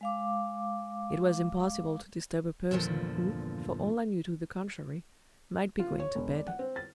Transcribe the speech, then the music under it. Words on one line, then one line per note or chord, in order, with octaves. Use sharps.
It was impossible to disturb a person, who, for all I knew to the contrary, might be going to bed.
G#3 F5 D6
E2 G2 A#2 D3 F3
F4
C#5
E1
D5
F#5
C4
A6